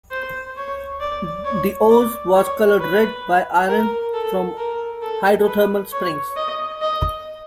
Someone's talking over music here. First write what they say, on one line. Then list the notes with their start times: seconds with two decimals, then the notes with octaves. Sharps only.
The ooze was colored red by iron from hydrothermal springs.
0.11 C5
0.57 C#5
1.00 D5
1.45 C#5
1.90 D5
2.35 C#5
2.79 B4
3.68 A#4
4.14 A4
4.57 A#4
5.02 A4
5.47 B4
5.92 C#5
6.36 D#5
6.82 D#5